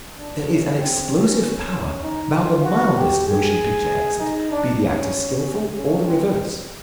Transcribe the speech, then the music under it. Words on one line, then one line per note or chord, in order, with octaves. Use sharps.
There is an explosive power about the mildest motion picture exit, be the actor skilful or the reverse.
D4
C#4
C4
C#4
C#4
D#4
F4
F#4
G4
G#4
D#4
D4
C#4
C#4
C4